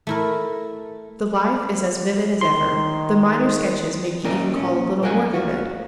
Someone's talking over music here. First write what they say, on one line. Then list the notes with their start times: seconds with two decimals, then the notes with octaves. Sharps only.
The life is as vivid as ever; the minor sketches may be even called a little more vivid.
0.07 A3 E4 A#4
2.41 D#3 C6
4.25 A#3 C#4 A#4 D5 D#5
4.56 A#2 C#4
5.03 F#2 A#4 D#5 F#5 G#5
5.33 F4 F#4